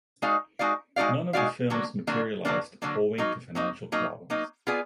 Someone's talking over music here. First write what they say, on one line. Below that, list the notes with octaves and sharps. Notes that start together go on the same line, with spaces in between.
None of the films materialised owing to financial problems.
G#3 D#4 F#4 D5 F5
G#3 D#4 F#4 D5 F5
G#3 D#4 F#4 D5 F5
G#3 D#4 F#4 D5 F5
D3 F#3 A#3 D4
D3 F#3 A#3 D4
D3 F#3 A#3 D4
D3 F#3 A#3 D4
F#3 A#3 D#4
F#3 A#3 D#4
F#3 A#3 D#4
F#3 A#3 D#4
B3 F4 G#4 D5